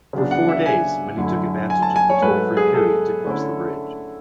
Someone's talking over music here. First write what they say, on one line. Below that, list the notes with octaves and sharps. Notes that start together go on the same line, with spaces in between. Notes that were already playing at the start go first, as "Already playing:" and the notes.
For four days, many took advantage of the toll-free period to cross the bridge.
C#3 F#3 B3 D4
F#5
E5
G#5
F#2 D3 A3 E4
G#5
A5
G#5
C#5
G#2 F#3 A3 B4
G#4
A4
D3 A3 C#4 E4